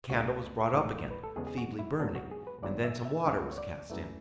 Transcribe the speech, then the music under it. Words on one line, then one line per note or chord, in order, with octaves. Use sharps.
The candle was brought up again, feebly burning, and then some water was cast in.
C#2 B2 A3 F#4
A1 G#2 E3
B4
A4
E2 C#3 G#3 B3 G#4
G#4
F#4
E4
G#2 F#3 B3 D4
F#4
G#4
B4
G#1 G#2 F#3 B3 D5
E5
E5
C#2 C#3 F#3 B3 F#5
C#5
D5
F#2 E3 A3